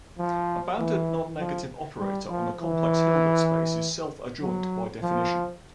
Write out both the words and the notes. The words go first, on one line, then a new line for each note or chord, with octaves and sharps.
A bounded non-negative operator on a complex Hilbert space is self adjoint by definition.
F3
E3
F3
G3
F3
E3
F#3
F3